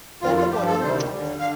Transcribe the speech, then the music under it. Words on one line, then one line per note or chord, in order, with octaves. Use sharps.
Then the boy was in your house!
F2 D#3 G3 F4
F4
G2 F3 G4
A4
D2 C3 D#3 G3 C5
D#2 D3 G3
D3 F5